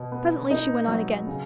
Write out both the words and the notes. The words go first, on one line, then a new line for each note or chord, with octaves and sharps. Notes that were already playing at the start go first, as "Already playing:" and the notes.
Presently she went on again.
Already playing: B2
B3
D#4
F#3
C#3